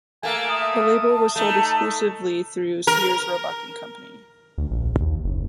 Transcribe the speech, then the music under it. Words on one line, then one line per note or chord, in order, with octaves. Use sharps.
The label was sold exclusively through Sears, Roebuck and Company.
A3 A#3 G#5
E5 D#6
A5
A3 D#4
A#4
D2
A#1
D#2
F#1